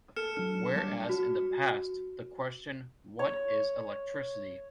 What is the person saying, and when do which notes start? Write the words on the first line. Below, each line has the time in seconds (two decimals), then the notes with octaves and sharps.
Whereas in the past the question What is electricity?
0.16 A4 F6 C#7 E7
0.37 F#3 D4 F6
0.76 G3 D4 C#5
1.09 F#4
3.19 C#5